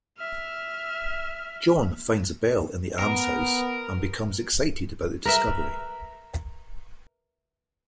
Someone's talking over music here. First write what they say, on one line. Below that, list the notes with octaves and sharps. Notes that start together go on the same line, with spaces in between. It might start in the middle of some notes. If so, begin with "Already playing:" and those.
Jon finds a bell in the Almshouse and becomes excited about the discovery.
E5 F6
B3 A#4
A#4 B4 E5